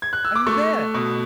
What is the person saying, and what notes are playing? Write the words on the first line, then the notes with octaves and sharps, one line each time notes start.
Are you there?
G#6
F#6
E6
D6
A3 C#6
B2